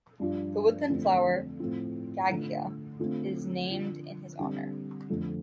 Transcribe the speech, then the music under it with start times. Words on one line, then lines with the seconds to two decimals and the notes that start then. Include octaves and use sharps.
The woodland flower "Gagea" is named in his honour.
0.20 G2 F3 D4 F4
0.89 F2 D3 A3 C4 F4
1.60 A2 F3 C4
2.29 D3 A3 F4
2.99 D3 A3 C4 F4
3.70 D3 F3 D4 F4
4.39 D3 G3 C4
5.09 F2 D3 A3 F4